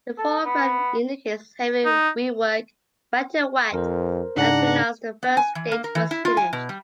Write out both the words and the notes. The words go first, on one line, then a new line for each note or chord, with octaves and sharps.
The foreground indicates heavy rework, wet-in-wet, as soon as the first state was finished.
A4
B3
D#4
F2 A#4 C5
G#2 C#3 D4 D#4 F#5 A#5
B3
G#5
E3
A#3
A#4
E3
E4
F4
G#5
B2
G3